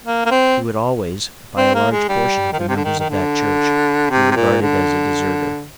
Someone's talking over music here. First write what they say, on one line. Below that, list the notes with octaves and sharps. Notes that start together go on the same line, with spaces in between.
He would always, by a large portion of the members of that Church, be regarded as a deserter.
A#3
A#3
C4
C4
A#3
G#3
G3
D#3
F3
C3
D3
D#3
D#3
D3
C3
C3
A#2
D3